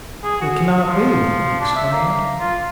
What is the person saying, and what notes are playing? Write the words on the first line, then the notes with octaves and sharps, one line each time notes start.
"It cannot be!" he exclaimed.
G#4
F#4
F3
D4
E5
A#3
F4